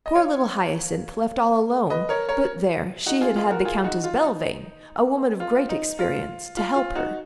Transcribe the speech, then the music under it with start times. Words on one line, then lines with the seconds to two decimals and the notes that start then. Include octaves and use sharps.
Poor little Hyacinth left all alone; but there! she had had the Countess Belvane, a woman of great experience, to help her.
0.06 D#5
0.15 C#5 F5
1.90 B4 D#5
2.09 A#4 C#5
2.29 A#4 C#5
3.06 D#4 F#4
3.21 F4 G#4
3.36 F4 G#4
3.51 F#4 A#4
3.65 F4 G#4
3.84 D#4 F#4
4.04 F4
4.23 D#4
5.40 F4
5.69 D#4
5.99 F4
6.57 F4
6.76 F4
6.95 D#4 F#4